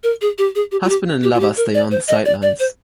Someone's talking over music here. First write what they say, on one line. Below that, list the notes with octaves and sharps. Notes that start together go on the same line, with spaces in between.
Husband and lover stay on the sidelines.
A#4
G#4
G4
G#4
G4
F4
G4
G4
F4
G4
A#4
D5
C5
D#5
D5
D5
C5